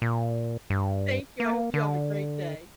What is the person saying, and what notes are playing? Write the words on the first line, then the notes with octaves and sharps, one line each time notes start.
thank you, I hope you have a great day.
A#2
G2
A#3
D3